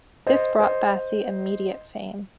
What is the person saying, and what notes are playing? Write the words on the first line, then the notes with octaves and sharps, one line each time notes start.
This brought Bassi immediate fame.
C5 D#5
C5 D#5